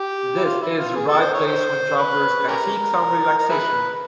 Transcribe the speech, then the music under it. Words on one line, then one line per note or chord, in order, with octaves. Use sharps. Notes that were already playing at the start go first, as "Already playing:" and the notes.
This is the right place when travelers can seek some relaxation.
Already playing: G4
E4
F4
E4
F4
G#4
A4
C5
C#5
C5
B4
C#4 G4 A#4
A#4
E4 G#4 B4